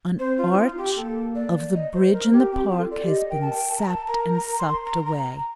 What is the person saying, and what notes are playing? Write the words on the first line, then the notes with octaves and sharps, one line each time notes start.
An arch of the bridge in the park has been sapped and sopped away.
C4 C5
F4
D#4
F4
G4
A#3 A4
D5
D#5
C5
C5
A#4
G4
C4 G4
F4
A4
D5
G4
D#5
A#4 G5
A5
G5
A5
A#5
A5
A#4 A#5
A#5
C6
A#5
A#5
A#5